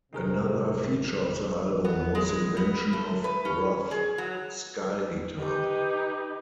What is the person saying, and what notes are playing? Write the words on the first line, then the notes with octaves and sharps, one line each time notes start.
Another feature of the album was the invention of Roth's Sky Guitar.
C3 D#3 D#4 G#4 A#4
B3
G#3
B3
A3
B4
C#4
G#4
F#3
D#4 G4 B4